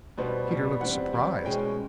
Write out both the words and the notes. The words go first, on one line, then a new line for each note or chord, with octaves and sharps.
Peter looked surprised.
B2 G3 B3 C5
B2 G3 B3
E3 G3 C4 F#5
E3 G3 C4
B2 G#3 C#4 G5